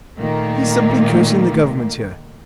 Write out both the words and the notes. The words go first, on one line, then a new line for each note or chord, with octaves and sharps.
'He's simply cursing the Government here.
A#2 D#3 A3 A#3